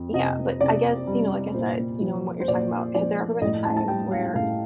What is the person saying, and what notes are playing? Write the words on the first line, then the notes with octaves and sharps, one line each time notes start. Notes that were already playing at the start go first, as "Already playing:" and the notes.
Yeah, but I guess, you know, like I said, you know, and what you're talking about, has there ever been a time where
Already playing: F2
C3 D#5
C3 D5
G3
A#2 C5
F3
C5
A#2 D5
F3 D5
A2 D#5
A5
A5
G3 G5
F5
A2 F5